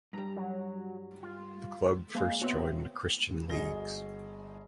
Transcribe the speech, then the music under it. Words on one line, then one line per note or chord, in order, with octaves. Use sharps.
The club first joined Christian leagues.
G2 G3 A#5
F#3
F4
G#3 A#3 F5
B3 C4 F#4 C#5 E5
G1 F#4 G#4 D#5 A#6 G7